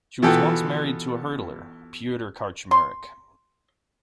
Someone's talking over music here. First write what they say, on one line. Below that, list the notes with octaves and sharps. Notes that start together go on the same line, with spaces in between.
She was once married to a hurdler, Piotr Karczmarek.
B2 E3 B3 F4 A4 G5
C6